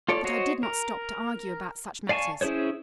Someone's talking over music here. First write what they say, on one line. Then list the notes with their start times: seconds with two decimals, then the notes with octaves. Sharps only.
But I did not stop to argue about such matters.
0.09 F4 A4 C#5 D5
0.24 F#4 C5 C#5 D#5
0.63 A#4
2.09 D5 F5 G#5 A5 C#6
2.41 C#4 E4 G#4 C5 C#5